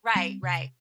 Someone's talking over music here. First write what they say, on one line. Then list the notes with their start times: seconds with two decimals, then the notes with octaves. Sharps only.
Right, right.
0.15 G3 C4
0.43 C3